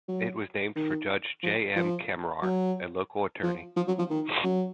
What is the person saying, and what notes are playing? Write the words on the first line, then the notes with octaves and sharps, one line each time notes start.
It was named for Judge J. M. Kamrar, a local attorney.
F#3
D#3
F3
F3
F#3
F3
F3
F#3
F3
D#3
F#3